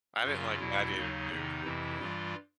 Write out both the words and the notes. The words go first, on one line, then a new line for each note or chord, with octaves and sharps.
I didn't like Gladiator II, I'll be honest.
F#2 C#3 F#3 F4
E2 B2 F#3 E4
D#2 C#3 F#3 D#4
E2 C3 D#3
F2 C3 E3 E4
G2 E3 G3 F4